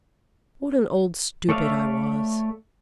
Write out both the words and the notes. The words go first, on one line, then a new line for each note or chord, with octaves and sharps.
What an old stupid I was!
A3 C#5 D5 E5 F5